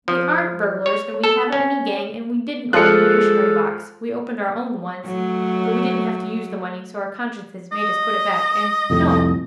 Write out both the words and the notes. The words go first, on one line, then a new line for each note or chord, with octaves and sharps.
We AREN'T burglars, and we haven't any gang, and we didn't open your missionary-box. We opened our own once, but we didn't have to use the money, so our consciences made us put it back and--DON'T!
F3
C#5
A4
C#4
F3 G#3 F4 A4 F#6 C#7
F#3 A3
D#5
C2 F2 A2